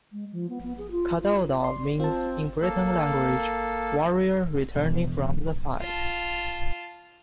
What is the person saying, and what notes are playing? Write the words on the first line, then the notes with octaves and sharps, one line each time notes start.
Cadoudal means in Breton language "warrior returning from the fight".
G#3
F3
B3
B3
G#4
F4
F4
D5 C6
C4 F4 A5
A#3 A4
E1
F4 A5